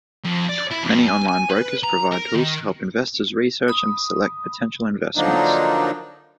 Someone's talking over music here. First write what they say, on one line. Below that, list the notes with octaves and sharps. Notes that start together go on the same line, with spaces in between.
Many online brokers provide tools to help investors research and select potential investments.
F2
D5
E4
F2
G#5
G#5
B4
A#5
A#4
D#3
B5 D#6
D3 F3 F#3 A#3 D4 D#4